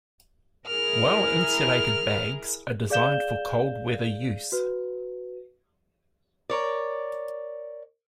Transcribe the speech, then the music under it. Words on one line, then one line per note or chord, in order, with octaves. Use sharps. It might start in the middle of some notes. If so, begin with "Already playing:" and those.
Well-insulated bags are designed for cold weather use.
E4 G#4 A#4 F6
G#4 D5 F5 G6 E7 G7
F#4 B4
A#4 C#5 D5